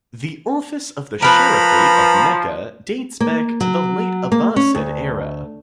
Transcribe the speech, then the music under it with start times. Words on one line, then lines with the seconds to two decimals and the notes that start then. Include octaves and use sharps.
The office of the Sharifate of Mecca dates back to the late Abbasid era.
1.22 F3 A#4 B4 A#5 B5
3.20 A#3
3.61 F#3
4.32 A#3
4.56 C#4
4.75 D2